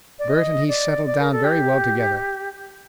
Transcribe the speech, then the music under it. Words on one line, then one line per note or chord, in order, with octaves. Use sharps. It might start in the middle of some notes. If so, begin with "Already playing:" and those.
Bert and he settled down very well together.
D5
D#5
D5
D5
A#4
A4
G4